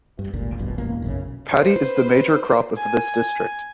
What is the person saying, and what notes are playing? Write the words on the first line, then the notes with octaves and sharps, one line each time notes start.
Paddy is the major crop of this district.
G2
G#1 D2 A#2
D#1 A#1 G2 B2
E1 A1 A#3
B1 F#2 C#3
B4 C5
G#5